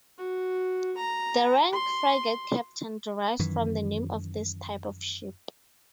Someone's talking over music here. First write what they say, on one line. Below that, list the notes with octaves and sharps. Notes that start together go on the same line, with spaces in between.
The rank "frigate captain" derives from the name of this type of ship.
F#4
A#5
C6
F#2 D#3 E3